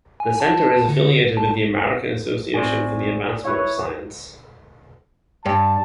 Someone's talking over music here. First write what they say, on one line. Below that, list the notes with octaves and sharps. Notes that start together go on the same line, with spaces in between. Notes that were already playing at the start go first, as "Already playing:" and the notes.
The Center is affiliated with the American Association for the Advancement of Science.
G#5
A5
D3
A5
A2 C4 D5 G#5
E4 B4 C#5
G2 A5